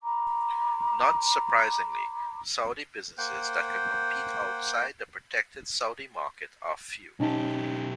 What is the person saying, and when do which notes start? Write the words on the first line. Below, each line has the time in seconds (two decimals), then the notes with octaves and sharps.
Not surprisingly, Saudi businesses that can compete outside the protected Saudi market are few.
0.03 A#5 B5 D6
3.18 A#3 C5 F#5 G5
7.20 B1 C#4 D#4 G4 A5